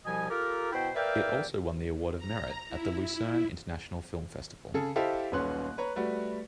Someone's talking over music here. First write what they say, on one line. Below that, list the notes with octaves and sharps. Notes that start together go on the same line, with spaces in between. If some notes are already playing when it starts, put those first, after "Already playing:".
It also won the Award of Merit at the Lucerne International Film Festival.
C2 B2 F3 G3 D#5 G#5
F4 G4 A4 A#4
B2 E4 C5 G5
A#4 B4 D5 E5 F5 G5
A#5
E4
E4
C#3 G#4 A4
E4 G4 A4 C5 D#5 F5
D#1 B1 B3 C#4 C6 F#6
B4 C#5 A#5
G3 A3 F#4 B4